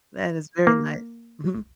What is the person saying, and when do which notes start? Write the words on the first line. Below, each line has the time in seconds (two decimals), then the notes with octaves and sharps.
That is very nice mhm.
0.67 A#3